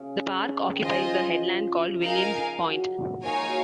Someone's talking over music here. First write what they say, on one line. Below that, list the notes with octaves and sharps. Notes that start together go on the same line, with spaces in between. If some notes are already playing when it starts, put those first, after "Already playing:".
The park occupies a headland called Williams Point.
Already playing: C#3
D#3
F3 F4 C5 D#5 G#5
D#4 A#4 F5 G#5
F#3
A#3 D#4 A#4 C#5 F5 G#5
G#3
F#3